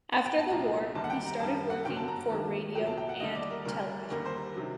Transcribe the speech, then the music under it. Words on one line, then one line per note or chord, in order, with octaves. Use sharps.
After the war, he started working for radio and television.
F#5
G5
A5
C2 A#2 F#3 A#5
D#2 D3 G3 A5
F#5
G5
A#5
F#2 D#3 G3 A5
F#5
G2 D3 F#3 G5
A5
A#5
D#2 D#3 F#3 A5
C2 A#2 F#3 G5
A5
G5
F#5
D#2 D3 G3 D#5
D5
A#4
D2 D3 G3 A#4
D#2 D3 G3 A#4
C5
C3 D#3 F#3